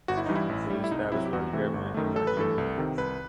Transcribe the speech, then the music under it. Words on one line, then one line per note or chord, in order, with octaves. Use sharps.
It was established by the Government of Nigeria.
G1 F#4
E4
G2 E3 G3 D#4
E4
A1
A2 G3
E4
C2 D#4
C3 F#3 E4
G4
E2 F#4
C3 E3 A3
G1
F#2 D#3 A3
A1 A4
B4
G2 E3 A3 A4
C2
C3 D#3
C2 B4